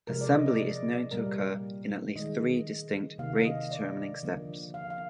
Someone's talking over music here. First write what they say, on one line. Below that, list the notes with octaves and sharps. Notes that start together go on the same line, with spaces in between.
Assembly is known to occur in at least three distinct rate-determining steps.
C3 F3 G#3 A#4
D5
D#5
D5
A#2 G3 A#3 A#4
D#3 G#3 D#5
C3 D#3 A#3 F5
D#5
D5
D3 F3 A#3
F5
F5